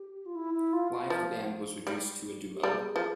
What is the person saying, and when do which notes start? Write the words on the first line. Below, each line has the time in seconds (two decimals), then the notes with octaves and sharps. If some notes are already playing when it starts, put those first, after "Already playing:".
Live the band was reduced to a duo.
Already playing: G4
0.26 F4
0.35 E4
0.54 E4
0.73 F4
0.92 F4
1.10 F3
1.87 G3
2.54 G4
2.63 G3 G#4
2.96 F3